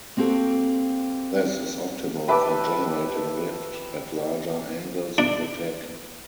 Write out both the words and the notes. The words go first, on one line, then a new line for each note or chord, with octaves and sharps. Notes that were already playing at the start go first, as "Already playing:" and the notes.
This is optimal for generating lift at larger angles of attack.
A#3 C4 F#4 G4 A4
G4 B4 E5 A5 B5 D6
D4